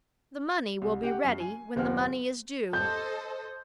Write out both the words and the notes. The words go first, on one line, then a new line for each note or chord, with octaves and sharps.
The money will be ready when the money is due.
C2
C#3 G4 F#5
F#2 C7
G#5
F#1 D#2 C4 F4 F#5 F6
A4 C5 D#5 G6